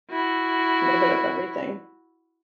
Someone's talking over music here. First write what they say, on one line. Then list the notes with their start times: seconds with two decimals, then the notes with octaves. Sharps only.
a little bit of everything.
0.10 E4 F#4